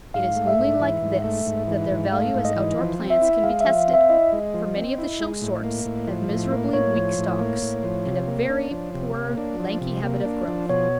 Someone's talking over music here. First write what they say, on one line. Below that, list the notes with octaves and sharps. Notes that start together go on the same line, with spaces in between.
It is only like this that their value as outdoor plants can be tested; for many of the show sorts have miserably weak stalks, and a very poor, lanky habit of growth.
G#2 F5
A3
E5
G#2
E3
G#2
A3
G#2
E3
G#2
A3 F5
G#2
D#5
E3
F3
C4
E5
E4
G#3 F5
E5
F3
F5
C4
E5
E4 D#5
G#3
F3
C4
E4
G#3
A2
A#3
A2
F3
A2
A#3
A2 C#5
F3
A2
A#3
A2
F3
C3
A#3
D4
F3
C3
A#3
D4
F3
C3
A#3
D4
F3
B2 C#5